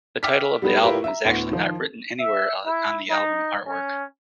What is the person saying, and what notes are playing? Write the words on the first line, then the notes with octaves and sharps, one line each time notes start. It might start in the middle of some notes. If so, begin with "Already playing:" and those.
The title of the album is actually not written anywhere on the album artwork.
E5 G5 D6 E6 F6 B6
G3 B3 D#4 G4 B4
E4 F4 G4 A#4 B4
E5 A#5
D2 A2 B3
D#3 F3
E5
E4
D#4
C#4